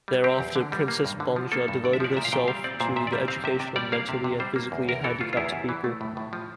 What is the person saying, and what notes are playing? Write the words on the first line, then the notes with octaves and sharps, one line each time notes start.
Thereafter, Princess Bangja devoted herself to the education of mentally and physically handicapped people.
G3
C4 G4
E2
D3
G3
A#3
G2
D3
F3
A#3 A4
G2
D3 D5
E5
F3 D5
A#2 E5
F5
A#2 G5
G3 F5
C4 D5
A#2 C5
A#2 E5
D5
G3 E5
C4 F5
C3 E5
C3 D5
G3 D5
A#3 F5
C3 E5
C3
G3 C5
A#3
E2
E2 A#4
E3 A4
A3 F4
F4
E2 E4
E2
E3
A3
A2
A2
F3